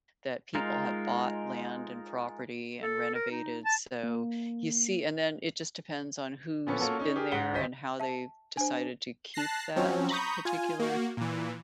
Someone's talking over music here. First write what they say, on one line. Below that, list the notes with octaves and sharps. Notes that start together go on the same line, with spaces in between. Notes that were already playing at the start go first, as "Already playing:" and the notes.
that people have bought land and property and renovated, so you see and then it just depends on who's been there, and how they've decided to keep that particular
G#3 D#4 F4 A#4
A4
A#4
D#4
A5
A#3
A#2 F3 B3 C#4 A4
A#3 C#4 F4 F#4 A4
C#4 D#4
G4 G#4 A#4
G#2 F#5 B6 G7
D#1 D2 C5 D#5 B6
E5 A5
D4 C5 G#5
A5 F#6 A#6 C7
F3 F#3 C4 C#4
A#5 B5 C#6 D#6 G6
F4 G#5
A#3 F#4
A#2 E3